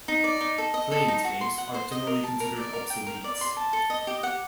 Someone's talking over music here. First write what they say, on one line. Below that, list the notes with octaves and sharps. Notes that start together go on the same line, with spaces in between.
Flame tanks are generally considered obsolete.
D#4
D5
D#4
A4
D#5
A4
D#4
F#4
C6
F#5
C5
D#5
A#4
A5
A#4
D5
A#4
G5
A#4
D5
C6
A5
A4
D#5
G4
F#5